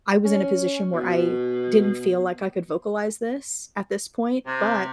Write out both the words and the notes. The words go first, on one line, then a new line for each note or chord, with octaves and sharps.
"I was in a position where I didn't feel like I could vocalize this at this point," but,
C#4
B2
C3